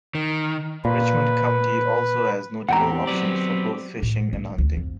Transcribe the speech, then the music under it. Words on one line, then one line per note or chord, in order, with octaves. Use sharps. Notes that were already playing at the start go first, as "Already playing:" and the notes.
Richmond County also has notable options for both fishing and hunting.
D#3
A#2 B4
E2 C4 G4 F#5 G5 A#5
F#3 B3 D5
A2
A3
D2
F2